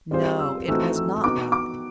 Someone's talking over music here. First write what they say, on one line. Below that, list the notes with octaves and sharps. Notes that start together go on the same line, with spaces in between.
No, it was not luck.
G3 C4 F4 G#4 C5
E6
E3 A3 C4 D#4 F#4 E6
E6
B3 D#4 F#4 D6
D6